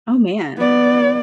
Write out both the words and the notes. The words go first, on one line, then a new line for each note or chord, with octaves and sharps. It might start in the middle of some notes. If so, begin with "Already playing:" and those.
Oh man,
B3 D5